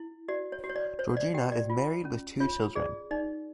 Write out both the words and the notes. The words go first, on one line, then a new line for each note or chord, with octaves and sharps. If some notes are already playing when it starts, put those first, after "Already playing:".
Georgina is married with two children.
Already playing: E4
F#4 D5
C#5
F#4
C#5
D5
C5 C#5
D5
F#4 G5
D5
F4
C#4
F4 C#5
G#4 D5
D#4 D5